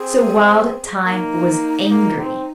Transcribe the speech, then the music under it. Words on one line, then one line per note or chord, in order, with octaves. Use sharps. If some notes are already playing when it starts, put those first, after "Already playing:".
So Wild Thyme was angry.
Already playing: C4 G#4
A#3 D#4
A#3
C4